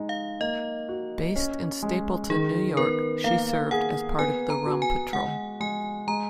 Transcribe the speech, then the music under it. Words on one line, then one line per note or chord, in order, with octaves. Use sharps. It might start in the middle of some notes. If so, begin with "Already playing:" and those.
Based in Stapleton, New York, she served as part of the Rum Patrol.
Already playing: G#3 D#4
F5
A#3 D#5
F#4
C#4
G#3
D#3 G#4
B3 A#4
A#3 F5
G#4 F#5
B3 G#5
A#5
F#4
G#5
G#3 F#5
G#3 G#5
G#3 A#5